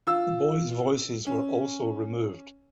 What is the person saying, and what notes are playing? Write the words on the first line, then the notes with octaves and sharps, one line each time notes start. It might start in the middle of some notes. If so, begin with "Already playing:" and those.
The boys' voices were also removed.
F4 E6
C#4